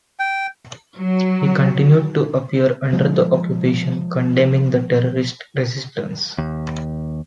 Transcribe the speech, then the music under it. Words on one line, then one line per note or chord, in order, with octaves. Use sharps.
He continued to appear under the Occupation condemning the terrorist Resistance.
G5
F#3
F3 G#3
D#2